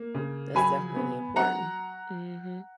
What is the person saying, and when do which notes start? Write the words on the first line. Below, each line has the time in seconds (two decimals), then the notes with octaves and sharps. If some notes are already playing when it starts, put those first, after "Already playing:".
That's definitely important. Mhm.
Already playing: A#3
0.15 C#3
0.55 F#3 G#5 B5
0.96 B3
1.36 F#3 F#5 A#5